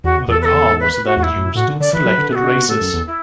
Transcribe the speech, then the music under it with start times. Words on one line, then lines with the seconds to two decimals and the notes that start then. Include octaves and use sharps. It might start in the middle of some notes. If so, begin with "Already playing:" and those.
The car was then used in selected races.
0.04 E2 F#4
0.28 E2 A4
0.41 B4
0.44 A4
0.79 B4
0.92 B4
1.05 F#4
1.17 E2 F#4
1.22 E4
1.36 F#2
1.55 A2 F#4
1.68 D3
1.80 D3 D5
1.93 E3 B4
2.05 F#3
2.18 D3
2.31 B2 A4
2.35 F#4
2.43 D3
2.55 B2
2.68 A2 A4
2.81 F#2
2.93 E2
3.06 E4